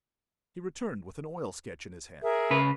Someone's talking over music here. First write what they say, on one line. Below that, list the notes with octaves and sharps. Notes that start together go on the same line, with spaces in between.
He returned with an oil-sketch in his hand.
G#4 A#4 E5
C#3 B4